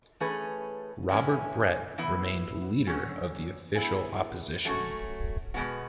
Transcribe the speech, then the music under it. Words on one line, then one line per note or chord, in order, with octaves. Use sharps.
Robert Brett remained leader of the official opposition.
E3 A3 C#4 G#4 B4
A2 E3 G#3 C#4 E4
E3 B3 E4
D3 F#3 C#4
B3 E4 G#4
F#3 A3 C#4 F#4
B2 G#3 B3 F#4